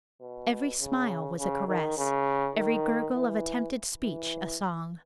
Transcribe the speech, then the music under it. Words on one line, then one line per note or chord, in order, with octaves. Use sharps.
Every smile was a caress, every gurgle of attempted speech a song.
B2
C#3
C#3
D#3
C#3
D#3
E3
E3